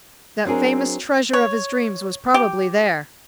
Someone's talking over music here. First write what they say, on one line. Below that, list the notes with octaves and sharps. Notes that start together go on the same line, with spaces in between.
That famous treasure of his dreams was probably there.
F#3 C4 D4 G#4 A#4
C#5
G4